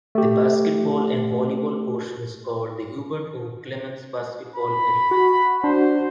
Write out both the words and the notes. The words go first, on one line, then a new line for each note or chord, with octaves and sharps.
The basketball and volleyball portion is called the Hubert O. Clemmons Basketball Arena.
A3 G4
B5
F#4
D4 C5